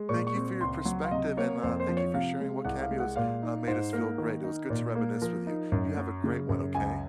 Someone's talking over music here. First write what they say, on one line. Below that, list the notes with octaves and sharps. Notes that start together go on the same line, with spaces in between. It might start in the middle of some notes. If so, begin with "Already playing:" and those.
thank you for your perspective, and, uh, thank you for sharing what cameos, uh, made us feel great. It was good to reminisce with you. You have a great one, okay?
Already playing: G#3
A#2 C#6
C#6
C4
C#2 C6
F#3
F5
C3 D#5
A#3 C#5
F2 C5
C5
F3
C#5
C3 F5
G#3
C2 F#5
F5
G#3
F#5
A#2 F5
D#4
G#2 C5
A#3 A#4
D#3
D#4
A#2
A#3
F3 A#4
D#4
F#2
F#3
C#3
F#2
C#2 G#5